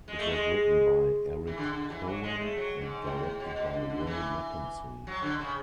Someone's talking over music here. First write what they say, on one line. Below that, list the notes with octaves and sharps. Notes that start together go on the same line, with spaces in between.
It was written by Eric Cohen and directed by Will Mackenzie.
G#3
A3
G#3
E3
D3
D3
E3
F#3
G#3
A3
F#3
G#2
G#2
A2
A2
B2
B2
D3
D3
E3
F#3
D3
C#3